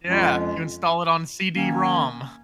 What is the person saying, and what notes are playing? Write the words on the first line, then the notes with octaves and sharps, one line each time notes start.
Yeah, you install it on CD-ROM.
F2 F3 G#3 C#4 F4
D#3 A#3 C#4